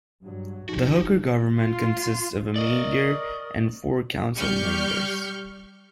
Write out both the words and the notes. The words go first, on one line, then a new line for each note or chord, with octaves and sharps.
The Hooker government consists of a mayor and four council members.
G2 F#3
F2 D#4 F#4 G4
F4
A#4 D5 D#5 C#6 D#6
G3 G4 C#6 F6 G6